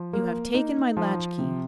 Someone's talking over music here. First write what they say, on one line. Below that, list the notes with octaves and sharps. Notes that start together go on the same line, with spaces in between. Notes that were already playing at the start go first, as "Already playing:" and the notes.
'You have taken my latchkey.'
Already playing: F3
A#3
D#4
F3
C3